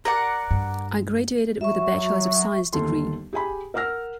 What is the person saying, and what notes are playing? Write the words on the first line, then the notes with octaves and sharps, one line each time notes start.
I graduated with a bachelors of science degree.
A#4 D5 F#5
G2
F#3 E5 C#6
G1 D#2 A4 C6
G4 G#4 G#5 B5
A#4 F#5 E6 F6 A#6